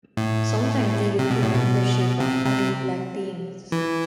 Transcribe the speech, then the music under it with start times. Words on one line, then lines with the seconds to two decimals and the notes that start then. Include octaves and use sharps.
Sometimes they appear in the shape of ugly black beings.
0.17 A2
1.19 C3
1.31 B2
1.43 A2
1.54 B2
2.20 C3
2.46 C3
3.72 E3